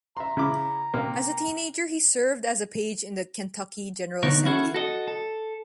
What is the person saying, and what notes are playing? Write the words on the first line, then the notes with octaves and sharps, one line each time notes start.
As a teenager he served as a page in the Kentucky General Assembly.
E5 A#5 C6
C#3 E4 D6
C3 A#3
D3 B3 D#4 A#4 C#5
C#4 E4 F#4 G#4 A4
F#4 A4 D#5
A4